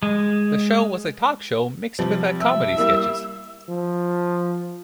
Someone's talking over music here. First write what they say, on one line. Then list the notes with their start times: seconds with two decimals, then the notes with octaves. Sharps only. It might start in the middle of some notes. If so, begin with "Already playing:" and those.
The show was a talk show mixed with a comedy sketches.
0.03 G#3
1.99 C3 F3 G3
2.41 E5
2.77 G3 A#3 E4
3.69 F3